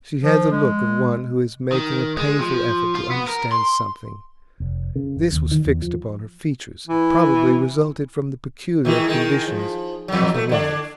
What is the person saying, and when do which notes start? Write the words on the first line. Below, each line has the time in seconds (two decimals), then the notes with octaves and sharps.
She had the look of one who is making a painful effort to understand something; this was fixed upon her features, and probably resulted from the peculiar conditions of her life.
0.23 F3
0.52 G#3
1.72 D#3
2.17 G#3
2.39 F3
2.95 F4
3.11 B3
3.27 A#4
3.52 C6
4.60 F1
4.95 C#3
5.16 F#1
5.32 D#2
5.51 D#3
5.66 E2
5.82 F3
6.88 E3
8.85 D#3 E3 G#3
9.07 D#3 G#3
9.48 F3
10.08 E2 F#3
10.34 A3
10.49 D3 D4